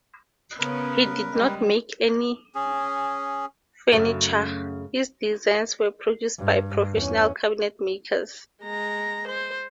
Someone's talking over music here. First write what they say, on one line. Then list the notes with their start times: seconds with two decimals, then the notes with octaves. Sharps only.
He did not make any furniture; his designs were produced by professional cabinet makers.
0.58 C#3 B3 C#4 A#4 B4
1.33 G3 G#3
2.55 C#4 G#4
3.92 F#2 C#3 A3
6.39 G2
6.94 E2 C#4
8.63 G#3 A#5
9.29 C5